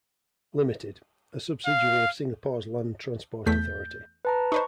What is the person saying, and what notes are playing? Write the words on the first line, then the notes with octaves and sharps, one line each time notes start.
Limited, a subsidiary of Singapore's Land Transport Authority.
F5
E2 A3 G6 B6
B4 A5 A#5
D#4 B4 C5 C#6